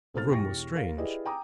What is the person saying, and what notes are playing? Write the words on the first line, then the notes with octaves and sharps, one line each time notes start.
The room was strange!
B1 A4 C5 F6 A6
E1 E4 G4 G5 C#6 A#6
A#4 F5
E4 G4 G#4 B4 D5 D#5
G5 G#5 A#5 D6 D#6